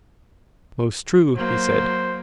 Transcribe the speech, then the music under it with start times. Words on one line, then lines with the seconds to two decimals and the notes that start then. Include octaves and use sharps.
Most true, he said.
1.35 F#3 A#3 C5